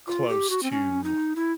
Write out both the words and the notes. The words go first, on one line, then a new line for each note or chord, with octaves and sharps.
close to,
F4
G4
F#4
C4
C#4
D#4
E4